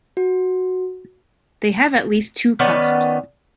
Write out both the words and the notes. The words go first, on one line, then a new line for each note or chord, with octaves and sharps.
They have at least two cusps.
F#4
D#3 B3 C#4 D5